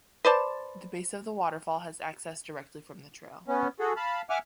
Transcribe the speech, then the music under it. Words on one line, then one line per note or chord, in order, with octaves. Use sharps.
The base of the waterfall has access directly from the trail.
B4 C5 D5 A5
B3 C#4
F#4 G#4 A4
F5 A5 B5
E5 F#5 G#5 D6 F6